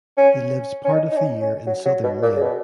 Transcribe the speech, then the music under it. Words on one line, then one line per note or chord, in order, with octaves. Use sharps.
He lives part of the year in Southern Maine.
C#4
C#4
D#4
D#4
C#4
C#4
F#3
F#3
B2
A#2
C#3
B2